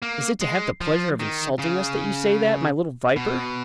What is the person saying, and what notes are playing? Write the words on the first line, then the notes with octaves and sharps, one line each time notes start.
"Is it to have the pleasure of insulting us that you say that, my little viper?"
A#3
G#3
F3
D#3
C#3
B2